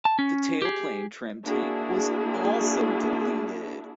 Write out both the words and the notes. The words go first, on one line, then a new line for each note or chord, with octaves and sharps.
The tailplane trim tank was also deleted.
A5
C#4
G4 G#4
A#3 D4 E4 F#4 G#4